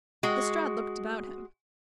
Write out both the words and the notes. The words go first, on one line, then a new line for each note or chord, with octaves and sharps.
Lestrade looked about him.
G#3 F#4